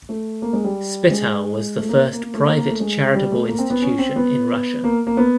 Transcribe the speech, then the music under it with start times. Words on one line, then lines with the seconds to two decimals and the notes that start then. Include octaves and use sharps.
Spital was the first private charitable institution in Russia.
0.09 A3
0.42 A#3
0.53 G#3
0.64 G3
1.10 G#3
1.78 A3
1.89 A#3
2.12 A#3
2.23 A#3
2.34 A3
2.45 A#3
2.57 A#3
2.69 A3
2.80 G#3
3.14 G3
3.31 A3
3.48 A#3
3.59 C4
3.70 B3
3.82 C#4
3.99 C4
4.16 B3
4.84 A#3
5.07 A#3
5.17 B3